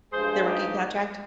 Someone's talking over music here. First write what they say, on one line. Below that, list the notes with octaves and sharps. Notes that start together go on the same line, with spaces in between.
their rookie contract?
G2 F3 G#3 G#4 C5
D#4 G4